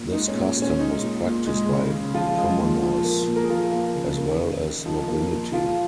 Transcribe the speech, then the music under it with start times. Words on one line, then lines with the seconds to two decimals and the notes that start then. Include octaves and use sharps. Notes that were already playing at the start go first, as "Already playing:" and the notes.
This custom was practised by commoners as well as nobility.
Already playing: A#2
0.11 G#3 D#4
0.28 C#4
0.34 A#2
0.57 A#2
0.62 C#4
0.79 G#3 D#4
1.02 A#2
1.24 A#2
1.47 G#3
1.69 C#3
1.92 C#3
2.14 F3 F4
2.37 G#3
2.60 A#2
2.82 F3
3.04 A#3
3.27 A#2
3.36 A#4
3.43 G#4
3.50 F3 F4
3.72 A#3
3.95 C#3
4.18 A#3
4.40 D#3
4.63 D#3
4.85 F3 D#4
5.08 A#3
5.30 A#2
5.52 F3 F4